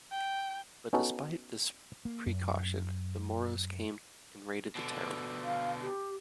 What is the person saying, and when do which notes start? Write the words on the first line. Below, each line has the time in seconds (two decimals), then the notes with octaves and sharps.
But despite this preacaution, the Moros came and raided the town.
0.11 G5
0.93 B3 C#4 D#4 F#4 A4
2.05 A#3
2.26 F#2
4.75 B2 D3
5.44 F5
5.81 G4